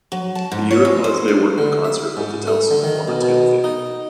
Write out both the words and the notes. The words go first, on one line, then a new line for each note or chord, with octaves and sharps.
The uropods may work in concert with the telson to form a "tail fan".
F#3
A5
G#2
C#5
G#3
C5
D4
D3
E5
G#2
A3
D3
D#3
B2
B2
D#4